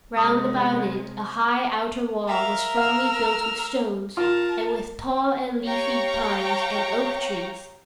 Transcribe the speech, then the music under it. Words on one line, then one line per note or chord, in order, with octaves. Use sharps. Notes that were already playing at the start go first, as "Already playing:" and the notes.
Round about it a high outer wall was firmly built with stones, and with tall and leafy pines and oak-trees.
C3 G#3 D#6
A#4 E5 F5
F5 E6 F6
F4 A#4 A5
G4 C#5 F5 G5 A#5 C#6